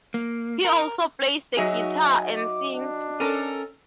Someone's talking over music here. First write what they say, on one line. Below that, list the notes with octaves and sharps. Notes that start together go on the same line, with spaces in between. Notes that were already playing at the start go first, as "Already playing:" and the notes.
He also plays the guitar and sings.
A#3
A#4
F#3 D#4 F#4 G#4 E5
G#5
D6
D4
C#4 A4 A#4